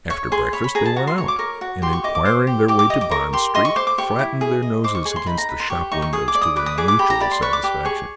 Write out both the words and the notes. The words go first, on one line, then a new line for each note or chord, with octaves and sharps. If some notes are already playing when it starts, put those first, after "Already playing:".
After breakfast they went out, and, inquiring their way to Bond Street, flattened their noses against the shop windows to their mutual satisfaction.
C#5 C#6
G#4 C6
C#5 B5
B5
G#4 A#5
A5
F#4 A#5
C6
C#5 C#6
D6
A#4 C#6
F#4
G4 C6
C#6
D#5 D6
D6
C5
G4
G4 D6
D6
D#5 D#6
D6
A#4 C#6
G4 C6
D#5 C6
C#6
C5 D6
D6
G4 C#6
E4
G#4
D#5
C5 D6
C#6
G#4 C#6
C6
D#4 B5
A#5
B4 B5
C6
G4 C#6
D#4 C#6
C#6
G#4 D#6
D6
D5
D#6
B4 D6
D#6
G#4 D6
D6
G4 B5
A#5
D5 B5
C6
B4 C#6
D6
G4 D6
G#4 C#6